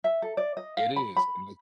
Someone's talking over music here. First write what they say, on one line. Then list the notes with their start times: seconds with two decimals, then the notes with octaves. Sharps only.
it is, and l
0.04 E5
0.22 A4
0.37 D5
0.57 D#5
0.77 F5
0.96 B5
1.17 B5